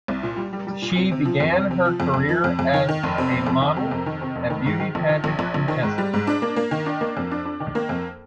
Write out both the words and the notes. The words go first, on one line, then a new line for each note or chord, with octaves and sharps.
She began her career as a model and beauty pageant contestant.
C2
A#2
G3
G3
G3
A#2
C3
C3
F3
F2
C3
C3
F3
F2
F2
F3
F2
F2
D#3
D#3
F1
C3
F1
F2
D#3
C3
F2
D#3
C3
F1
D#3
G#2
D#3
A#1
D#3
A#1
A#1
A#1
D#3
G#2
G3
G#2
D4
A#3
A#3
D#3
D4
A#3
F2
D4
D4
D#3
A#3
F2